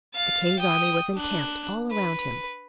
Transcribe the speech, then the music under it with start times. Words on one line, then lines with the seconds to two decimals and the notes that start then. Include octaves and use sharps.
The king's army was encamped all around him.
0.15 F5 A6
0.59 G5 D#6
1.15 D4 F#6
1.91 B4